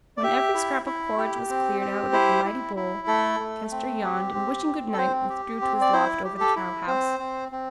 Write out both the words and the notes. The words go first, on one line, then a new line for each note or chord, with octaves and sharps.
When every scrap of porridge was cleared out of the mighty bowl, Kester yawned, and wishing good-night, withdrew to his loft over the cow-house.
D5
G4 E5
E4
E4
G4
C4
G4
E4 C5
E4
E4
A3 A4
A3
C4
G4
C4
C4
A4
C4 C5
G4
C4
D5
E4 C5
G4
A4
E4
C4 C5
C4
C4